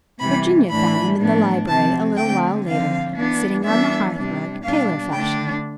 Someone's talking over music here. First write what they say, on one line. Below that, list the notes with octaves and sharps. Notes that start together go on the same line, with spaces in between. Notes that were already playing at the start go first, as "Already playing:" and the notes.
Virginia found them in the library, a little while later, sitting on the hearth-rug, tailor-fashion.
C3 E3 G3 B5
A2 E3 A3 D4 B5
A2 F3 B3 D4
C3 F3 C4 A5
D3 A3 C4 G5
D3 F3 C4 F5
E3 B3 D4
E3 G3 B3 D4 E5
C3 G3 D4
B2 G3 D4 F5
D3 A3 D4 G5